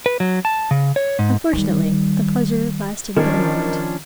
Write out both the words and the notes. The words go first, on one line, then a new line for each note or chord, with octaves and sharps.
Unfortunately the pleasure lasted but a moment.
B4
F#3
A5
C#3
C#5
G#2
D#3 G3
D#3 F3 C#4 D4